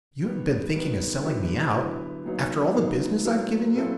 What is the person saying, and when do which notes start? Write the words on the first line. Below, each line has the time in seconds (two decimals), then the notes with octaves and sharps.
'You haven't been thinking of selling me out--after all the business I've given you?'
0.24 D#3 G3 B3
0.74 D#3 G3 B3
1.24 D3 F#3 B3 E4 G4
1.74 D3 F#3 B3 E4 G4
2.24 A#2 F#3 B3 D#4
2.74 A#2 F#3 B3 D#4
3.24 A#2 F#3 B3 E4 A4
3.74 A#2 F#3 B3 E4 A4